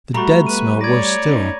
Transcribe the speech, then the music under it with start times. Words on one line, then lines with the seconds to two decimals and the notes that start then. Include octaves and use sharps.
The dead smell worse still!
0.14 G3 A3 F#4 A#5 B5 C#6
0.47 B3 B4 D#7
0.81 C#5 D5 G#6 A#6
1.28 C#4 D#4